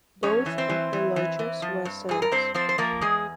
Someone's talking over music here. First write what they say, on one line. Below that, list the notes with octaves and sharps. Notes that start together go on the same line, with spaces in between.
Both of the lodgers were sailors.
F2 C#4 C#5
E3
C4 C5
E3
E3
E3
E3
F3
G2
G2 G#4
A#4
G2 C4 C5
F3 C4 C5
C5
F3 A#3 A#4
E2 G#3 G#4